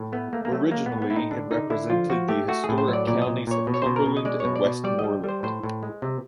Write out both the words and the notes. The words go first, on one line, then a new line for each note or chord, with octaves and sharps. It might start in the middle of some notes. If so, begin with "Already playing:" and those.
Originally, it represented the historic counties of Cumberland and Westmorland.
Already playing: A2
A3 B3
A3 A#3
A#3
F#3 A3
G#3 A#3
B3
A2
B3
A2 E4
D#4
D3 D4
D3 D#4
D3 E4
F3 F4
F3 F#4
A3 G4
A3 F#4
G#4
A2
C5
F#3
D5
A#2 D5
A#2 D#5
A#2 C#5
B2
C#5
B2 C5
A#4
B2
D#5
G#3 D5
B2 C#5
D5
B2
G3 D5
D#5
G3
G3 C5
A2 C5
A2
G#3
C3